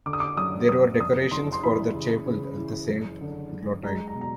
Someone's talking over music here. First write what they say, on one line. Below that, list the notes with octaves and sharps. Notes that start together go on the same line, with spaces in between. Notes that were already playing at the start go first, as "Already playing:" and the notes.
There were decorations for the chapel at Saint-Clotilde.
D3 D6
D#6
D6
F#2 D#6
F#2 D#6
F2 D#6
F#1 C6
C6
E3 B5
C#3
C#3
E3
F#1
D3
F#1
G#3 A#5
A#5
B2
A#5